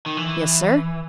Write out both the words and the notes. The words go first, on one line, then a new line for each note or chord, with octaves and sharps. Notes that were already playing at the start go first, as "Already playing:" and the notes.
"Yes, sir."
D#3
E3